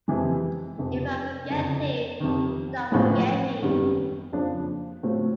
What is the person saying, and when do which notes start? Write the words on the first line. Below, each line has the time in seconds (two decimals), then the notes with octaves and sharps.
If I forget Thee, do not forget me.
0.08 F2 C3 E3 G#3
0.78 F1 F2 C3
1.49 F#1 F2 D3
2.20 F2 C3 D#3
2.91 A1 A2 F3 G#3 B3
3.62 G#1 F#2 D#3 G3 B3
4.32 F2 C#3 F3 A#3 D4
5.03 A2 F#3 A3 C4 F4